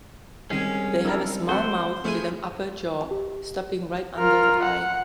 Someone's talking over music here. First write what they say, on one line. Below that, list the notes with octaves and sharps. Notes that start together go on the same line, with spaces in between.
They have a small mouth with an upper jaw stopping right under the eye.
C2 D#3 G#3 C#4 G#4
D4 E4 A#4 E6
C4 F#4 A4 B4 C5 F#5
F3 A3 E4 G#4 G#5
F4 A#4
F#5